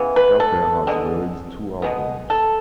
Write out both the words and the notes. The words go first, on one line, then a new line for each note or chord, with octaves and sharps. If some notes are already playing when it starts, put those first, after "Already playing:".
Skalpel has released two albums.
Already playing: C#3 E3 B3
B4
A4
D3 G#3 B3
B2 G#3 B3
A4